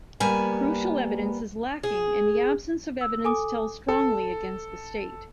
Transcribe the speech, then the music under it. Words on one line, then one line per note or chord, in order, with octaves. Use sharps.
Crucial evidence is lacking and the absence of evidence tells strongly against the State.
G3 A#3 B3 B4 G#5
G#4
E6
A4 G#5 D6 D#6
A4